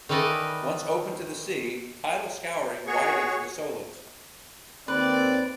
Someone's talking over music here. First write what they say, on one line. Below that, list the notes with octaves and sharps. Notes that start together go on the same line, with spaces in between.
Once open to the sea, tidal scouring widened the Solent.
D#3 E3 A4 B4 D5 D#5
F#4 G#4 C#5 C#6
D#2 C4 B4 D5